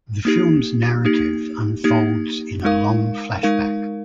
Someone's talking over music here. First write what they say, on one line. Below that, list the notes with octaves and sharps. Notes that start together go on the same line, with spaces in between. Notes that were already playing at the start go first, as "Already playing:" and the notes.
The film's narrative unfolds in a long flashback.
A#3 D#4 G4
A#3 D#4 G4
A#3 D#4 G4
G#3 D#4 A#4 F5
G#3 D#4 A#4 F5